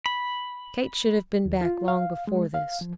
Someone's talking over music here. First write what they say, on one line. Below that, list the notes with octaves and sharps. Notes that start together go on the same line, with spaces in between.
Kate should have been back long before this.
B5
D#2
F4
F5
G#3
F5
F3